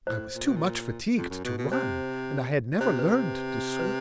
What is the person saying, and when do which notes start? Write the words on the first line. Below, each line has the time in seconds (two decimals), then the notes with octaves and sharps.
I was too much fatigued to run, and I had never learned to swim.
0.07 A2 C5
0.35 A#2
0.46 B2
0.56 A#2
1.17 F2
1.30 F#2
1.44 B2
1.58 B2
1.72 C3 C5
2.80 C3 C5
2.99 B4
3.79 B4